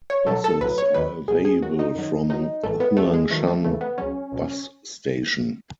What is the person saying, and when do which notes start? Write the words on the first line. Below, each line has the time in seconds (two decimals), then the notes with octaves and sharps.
Buses are available from Huangshan Bus Station.
0.10 C#5
0.26 B1 B2 F#3 A4
0.44 A4
0.61 B1 A2 F#3 B4
0.78 C#5
0.94 D#2 D#3 F#3 B4
1.28 C#2 B2 F#3 G#4
1.45 G#4
1.62 D#2 D#3 F#3 F#4
1.79 D#4
1.95 F#2 D#3 F#3
2.29 E2 D#3 F#3 D#4
2.63 A1 G#2 E3 A3
2.80 B3
2.97 E2 C#3 F#3 A3
3.13 G#3
3.31 E2 D#3 F#3 A3
3.48 A3
3.65 D#2 C#3 E3 A3
3.81 B3
3.98 C#2 C#3 F#3 C#4
4.32 C#2 B2 F#3